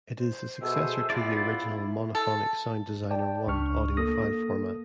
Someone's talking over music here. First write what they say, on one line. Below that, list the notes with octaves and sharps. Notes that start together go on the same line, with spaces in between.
It is the successor to the original monophonic Sound Designer I audio file format.
C5
B2 G#4 A4 C5 E5 E6
B3 E4 F4 G4 D5
A4
D5 G5 A5
C#2 D4 C#6 F6
A#3 A4 D#6 A#6